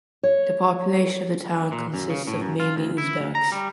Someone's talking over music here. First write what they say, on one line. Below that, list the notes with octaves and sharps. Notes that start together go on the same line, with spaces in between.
The population of the town consists of mainly Uzbeks.
C#5
A#2
F#2
C#3
A2
F#2
F4
D2
E4
D2
A#5
G3